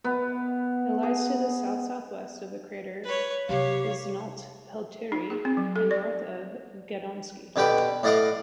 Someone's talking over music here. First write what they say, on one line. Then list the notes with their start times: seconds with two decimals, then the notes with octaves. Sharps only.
It lies to the south-southwest of the crater Esnault-Pelterie, and north of Gadomski.
0.04 B3
1.03 G#4
3.04 B4 C#5
3.49 C3 F#3 G4 C#5 F5
5.12 D#4
5.30 G#4
5.45 C4
5.57 F#3
5.76 A4
5.91 D5
7.56 B2 D3 G4 B4 D6
8.03 A2 D5 D#5 F5 F#5 D6